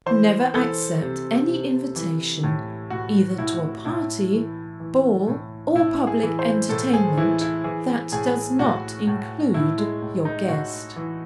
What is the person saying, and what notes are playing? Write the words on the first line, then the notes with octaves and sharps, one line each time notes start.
Never accept any invitation, either to a party, ball, or public entertainment, that does not include your guest.
E3 C5
E3 A4
C3
C3
E3
A2
A2 F#4
A2 E4
A2 E4
E3
E3
A2
A2 E4
G#4
E3
C5
A2 A4
G#4
E3 E4
E4
E3 G#4
A2 G#4
A2 F#4
A2
A2 E4
G#3
A2
D#4
A2 F#4
E3